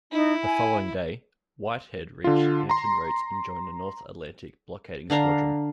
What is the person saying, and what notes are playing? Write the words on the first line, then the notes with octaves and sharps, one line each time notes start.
The following day, "Whitehead" reached Hampton Roads and joined the North Atlantic Blockading Squadron.
D#4 E4
G#5
D3 F4
A#5 C6
D3 D4 F5 A#5